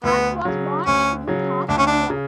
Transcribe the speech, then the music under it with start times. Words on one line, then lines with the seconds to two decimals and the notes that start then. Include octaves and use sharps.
Hunt was born in Windham, New York.
0.03 D2 B3
0.45 C#3 F#3
0.86 D2 C#4
1.28 C#3 F#3
1.69 D2 D4
1.78 C#4
1.87 D4
2.10 C#3